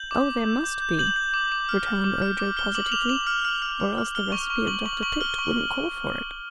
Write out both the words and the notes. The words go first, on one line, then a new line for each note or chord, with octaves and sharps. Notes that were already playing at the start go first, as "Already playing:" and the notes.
"Oh, there must be!" returned Ojo, positively; "or else the recipe of Dr. Pipt wouldn't call for it."
Already playing: G6 F#7
D6
D6
G6
G6
G6
G6 F#7
G6
D6
D6
F6
F6
D6
F6
D6
F6 G7
D6 F#7
F#7
D6 F7
D6 F#7
F6
F6
F6
F6
F6
F6 G7
C#6
C#6
C#6 F#7
C#6 F#7
C#6 F#7
F#7
F6 G7
C#6